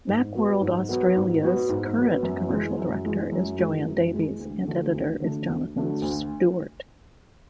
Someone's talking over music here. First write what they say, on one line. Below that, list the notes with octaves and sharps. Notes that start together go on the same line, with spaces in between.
"Macworld Australia"'s current Commercial Director is Joanne Davies and Editor is Jonathan Stewart.
G#2
F#3 B3 F#4
G#2
F#3 B3 F#4
G#2
F#3 B3 F#4
G#2
F#3 B3 F#4
F#2
E3 G#3
F#2
E3 G#3
F#2
E3 G#3
F#2
E3 G#3
D2
D3 F#3 A3 D4
D2
D3 F#3 A3 D4
D2
D3 F#3 A3 D4
D2